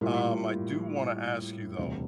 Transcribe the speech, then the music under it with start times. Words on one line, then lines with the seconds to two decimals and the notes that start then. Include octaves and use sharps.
um, I do wanna ask you, though,
0.01 A2 G3 A#3 F4
1.78 E1 D2 C3 G3